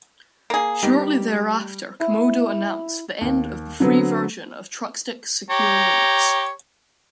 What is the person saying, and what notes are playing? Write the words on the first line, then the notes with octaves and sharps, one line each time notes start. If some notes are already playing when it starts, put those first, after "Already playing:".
Shortly thereafter Comodo announced the end of the free version of Trustix Secure Linux.
A#3 G#4
D#3 G3 G4
E4
D#2
D3 F#3 B3 C4
G4 C#5 A#5